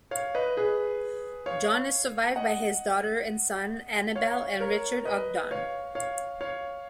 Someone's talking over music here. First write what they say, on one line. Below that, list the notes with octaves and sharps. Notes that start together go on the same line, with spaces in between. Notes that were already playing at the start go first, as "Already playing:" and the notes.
John is survived by his daughter and son, Annabel and Richard Ogdon.
C#5 F5
B4 D#5
G#4 B4
C#5 F5
D#5 F#5
C#5 F5
A#4 C#5
B4 D#5
C#5 F5
C#5 F5
C#5 F5